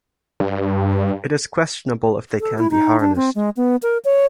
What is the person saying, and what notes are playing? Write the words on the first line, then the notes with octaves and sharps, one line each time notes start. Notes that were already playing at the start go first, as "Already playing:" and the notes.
It is questionable if they can be harnessed.
G2
A4
E4
D#4
D4
C4
G#3
B3
A#4
C#5